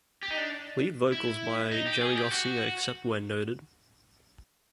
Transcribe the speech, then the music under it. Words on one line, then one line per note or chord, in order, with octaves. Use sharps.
Lead vocals by Jerry Garcia, except where noted.
G4
D#4
D4
E4
D#4
G4
G#4
G4
F#4